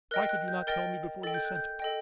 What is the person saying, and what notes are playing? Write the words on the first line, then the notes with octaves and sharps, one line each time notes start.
Why could you not tell me before you sent it?
A#4 D#5 G5 F#6
F#6
G6
A#4 D#5 G5 A6
A4 D#5 G5 A6
G6
F#6
G6
A4 D#5 G5